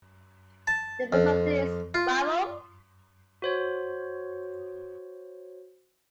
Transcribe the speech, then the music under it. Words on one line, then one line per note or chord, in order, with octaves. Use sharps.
The first of these, Warum?
A5
F2
F4
F#4 C5 C#5